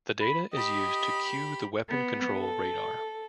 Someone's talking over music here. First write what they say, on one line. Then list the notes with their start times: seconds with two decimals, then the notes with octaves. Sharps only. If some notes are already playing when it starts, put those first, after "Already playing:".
The data is used to cue the weapon control radar.
0.21 B5
0.53 G4 D#5 B5
1.89 B3
2.37 A4